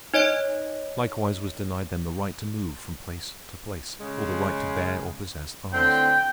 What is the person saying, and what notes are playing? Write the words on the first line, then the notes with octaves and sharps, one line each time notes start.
Likewise was denied them the right to move from place to place, or the right to bear or possess arms.
D#4 C#5 D#5 D7
C#3 G#3
A2 D3 C4 G5